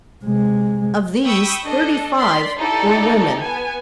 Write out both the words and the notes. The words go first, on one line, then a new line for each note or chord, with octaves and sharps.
Of these thirty-five were women.
C3 G#3
G5 B5 C#6 D#6 E6
D4 A4 D#5
D5 C6 B6
D#4 E4 G4 A4 D5
B3 G#5